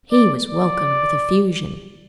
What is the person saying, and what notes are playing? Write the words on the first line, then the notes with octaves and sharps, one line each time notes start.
He was welcomed with effusion.
D5
D5